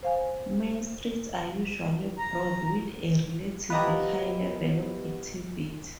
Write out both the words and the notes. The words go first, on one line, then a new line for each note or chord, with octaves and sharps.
Main streets are usually broad with a relatively high level of activity.
C5 F5 G#5
A#5
F3 B3 E4 F4 G4 B4 D#5 A#5